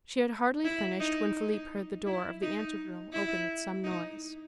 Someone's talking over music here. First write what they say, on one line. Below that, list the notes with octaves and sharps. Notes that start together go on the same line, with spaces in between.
She had hardly finished when Philip heard the door of the ante-room open with some noise.
E4
D#4
D#4
E4
D#4
E4
D#4